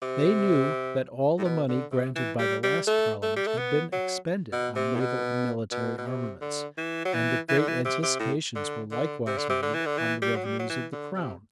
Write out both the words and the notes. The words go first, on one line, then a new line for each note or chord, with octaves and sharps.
They knew that all the money granted by the last parliament had been expended on naval and military armaments; and that great anticipations were likewise made on the revenues of the crown.
C3
A2
B2
D3
C3
E3
G3
G3
A3
A3
G3
A3
B3
F#3
B2
C3
A2
B2
B2
B2
C3
D3
E3
F#3
E3
E3
D3
E3
C3
C3
A2
D3
D3
C3
D3
C3
D3
E3
D3
E3
G3
F#3
G3
F#3
E3
D3
C3